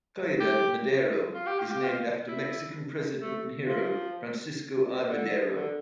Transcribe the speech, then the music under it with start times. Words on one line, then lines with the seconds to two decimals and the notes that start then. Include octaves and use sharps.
Ciudad Madero is named after Mexican president and hero Francisco I. Madero.
0.40 G4
1.34 F4
1.46 G4
1.59 F4
1.71 G4
1.84 F4
2.28 E4
3.21 A3
3.68 F3
5.09 D3
5.55 D3